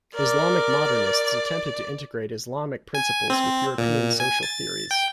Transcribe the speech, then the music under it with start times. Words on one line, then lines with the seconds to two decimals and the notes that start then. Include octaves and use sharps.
Islamic Modernists attempted to integrate Islamic principles with European social theories.
0.15 A#4 D5
2.95 G#5
3.30 C4
3.78 A#2
4.20 G#5
4.43 A6
4.91 G5